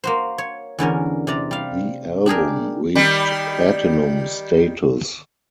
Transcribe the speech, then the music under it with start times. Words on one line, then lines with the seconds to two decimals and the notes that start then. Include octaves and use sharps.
The album reached platinum status.
0.04 A#3 F#4 C5
0.38 C#5
0.79 E2 D3 C#4 A#4
1.27 C3 D5 A#5
1.51 G3 F5
2.26 D4 G4 G#4 A#4
2.95 D#3 G3